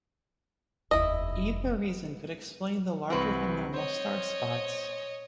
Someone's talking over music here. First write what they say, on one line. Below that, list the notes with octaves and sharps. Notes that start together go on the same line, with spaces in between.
Either reason could explain the larger than normal star spots.
F1 D#2 E4 D#5
C2 E3 C4 F#4 B4
C5 C#5 D#5